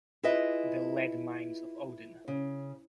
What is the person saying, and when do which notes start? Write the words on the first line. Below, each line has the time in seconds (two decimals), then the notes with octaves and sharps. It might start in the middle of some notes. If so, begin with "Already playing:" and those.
The lead mines of Odin.
0.23 E4 F4 G#4 B4 D#5 E5
2.28 C#3